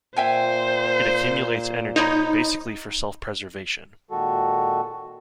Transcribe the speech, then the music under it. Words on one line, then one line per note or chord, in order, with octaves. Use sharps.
It accumulates energy, basically for self-preservation.
A#2 C5 E5 G5 G#5
D#4 C5 C#5 B5
A#2 D#3 G#3 F#4 A4